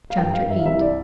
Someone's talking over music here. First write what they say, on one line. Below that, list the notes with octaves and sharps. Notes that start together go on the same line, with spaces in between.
Chapter VIII.
F5
G2 G5
F5
G2
E5
F5
C2 E5
D5